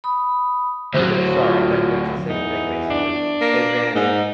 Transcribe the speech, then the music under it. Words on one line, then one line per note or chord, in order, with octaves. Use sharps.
Oh, sorry, that that's the same thing, basically. And then,
B5 D#6
D2 F#3 C5
F4
E2 D#4
D4
A#3
G#2 D#4